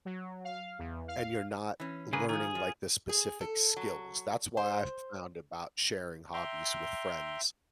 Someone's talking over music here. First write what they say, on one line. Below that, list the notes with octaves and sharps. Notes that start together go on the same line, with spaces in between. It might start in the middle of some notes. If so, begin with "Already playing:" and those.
and you're not learning, like, the specific skills. That's why I found about sharing hobbies with friends
F#3
F5
E2
F5
E3 C#4
C#3 A#3 G#4 B4
D#3 F3 G#4
F3
G#4
A4
F#3
C5
E5 G5 A#5 C6